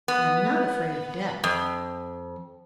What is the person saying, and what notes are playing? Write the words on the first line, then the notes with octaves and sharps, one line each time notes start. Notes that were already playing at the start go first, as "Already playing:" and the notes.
I am not afraid of death.
B3
F2